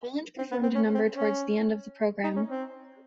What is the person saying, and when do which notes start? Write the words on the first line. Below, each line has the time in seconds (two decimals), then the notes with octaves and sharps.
Holland performed a number towards the end of the programme.
0.38 C4
0.51 B3
0.63 C4
0.75 C#4
0.94 C4
1.13 C#4
2.24 D#4
2.36 C#4
2.49 C4